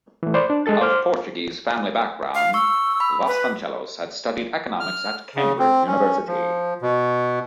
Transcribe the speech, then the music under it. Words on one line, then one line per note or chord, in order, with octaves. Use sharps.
Of Portuguese family background, Vasconcellos had studied economics at Cambridge University.
E3 A3
C5 D5 B5
D4
G#3 G#4 A4 A6
C5 D6 F6
F5
C#6 E6
B5
B4
F6
C#3
C4
C#4
F3
B2